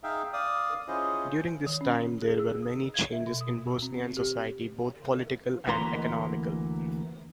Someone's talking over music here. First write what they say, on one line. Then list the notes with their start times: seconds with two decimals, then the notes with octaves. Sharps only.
During this time there were many changes in Bosnian society, both political and economical.
0.03 D#4 G#4 E5 F5 G5
0.33 D5 F5 D#6
0.88 C#4 E4 F4 G#4 C5 D#5
1.67 D#3
1.81 C#4
2.22 G#4
2.40 E6
2.63 D#6
2.94 G#6
3.13 E5
3.27 B2
3.41 D#6
3.67 F#4
3.82 C4
4.17 G4
5.68 D2 E3 A#3 B4 A#5 C6